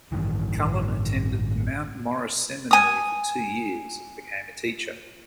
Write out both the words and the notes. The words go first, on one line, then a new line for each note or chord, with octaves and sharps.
Cullom attended the Mount Morris Seminary for two years and became a teacher.
A1 G2 D#3 E3
G#5 D#6